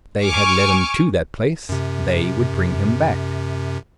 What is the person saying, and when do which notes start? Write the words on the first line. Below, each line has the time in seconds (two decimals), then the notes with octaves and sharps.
They had led him to that place; they would bring him back.
0.23 G#5 C#6 D6 F6
1.69 F#2 C3